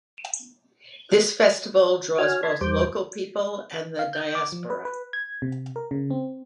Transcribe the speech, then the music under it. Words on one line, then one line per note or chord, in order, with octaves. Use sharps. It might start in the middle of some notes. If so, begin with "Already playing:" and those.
This festival draws both local people and the diaspora.
F#4 C#5 G#5 F6
A5 B5 C6 G#6
E2 G3 C5 D6 G6
F5
G6
D6
F3
B4
B4
G#6
C3
A#4
C#3
C4